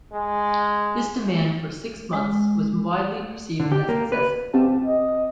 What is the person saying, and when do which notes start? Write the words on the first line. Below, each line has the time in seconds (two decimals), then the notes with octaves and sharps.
This demand for six months was widely perceived as excessive.
0.13 G#3
2.13 G#3
3.60 D3
3.72 G4
3.89 A#3
4.12 B4
4.54 C4 G4 A5
4.85 D#5